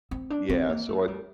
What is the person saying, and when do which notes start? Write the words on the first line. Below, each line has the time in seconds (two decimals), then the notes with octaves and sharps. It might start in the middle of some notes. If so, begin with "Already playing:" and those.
yeah, so I
0.11 C4
0.30 D4
0.50 C4
0.69 A#3
0.89 A3
1.08 G3